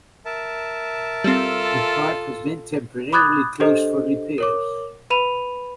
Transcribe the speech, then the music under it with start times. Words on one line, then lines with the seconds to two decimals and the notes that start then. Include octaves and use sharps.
The park was then temporarily closed for repairs.
0.25 A#4 E5 A5
1.24 G3 C4 F4 A4
3.13 B5 D6 D#6 F#6 G#6 A6
3.60 D4 G4 A4 C5 D#5
4.38 A#4 C#5 D6
5.10 B4 B5 D#7 F7